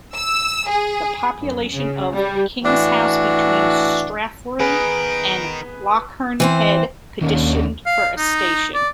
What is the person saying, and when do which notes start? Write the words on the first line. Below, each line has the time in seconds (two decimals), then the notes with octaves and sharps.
The population of Kingshouse, between Strathyre and Lochearnhead, petitioned for a station.
0.15 E6
0.69 G#4
1.39 F#2
1.73 C#3
2.15 G3
2.63 A2 E3 D4 F#4
4.60 B3 D#4 G#4 A#4 B4 D7
6.40 E3 C4 C5
7.21 D#2 D#3 C#4 D4
7.86 F5
8.18 D#4
8.75 D5